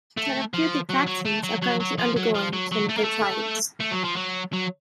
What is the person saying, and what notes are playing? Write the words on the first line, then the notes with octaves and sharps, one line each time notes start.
Therapeutic vaccines are currently undergoing clinical trials.
A3
F3
F#3
F#3
A3
F#3
F#3
F#3
F3
F#3
F3
F#3
F#3
A3
A#3
A3
A3
F#3
F3
F#3
F#3